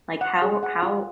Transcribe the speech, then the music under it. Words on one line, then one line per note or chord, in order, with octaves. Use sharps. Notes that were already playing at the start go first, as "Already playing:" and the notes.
Like, how how
F#5
G#4
F#5
F4